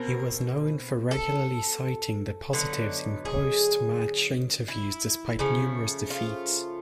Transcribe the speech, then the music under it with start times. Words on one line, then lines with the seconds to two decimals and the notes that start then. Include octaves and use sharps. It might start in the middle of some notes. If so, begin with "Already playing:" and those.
He was known for regularly citing the 'positives' in post-match interviews despite numerous defeats.
Already playing: B2 C4 A#4
1.11 A4
2.53 D3 F#3 B3 D#4
3.25 G#4
4.68 E4
5.39 C#3 F3 A3
6.10 F4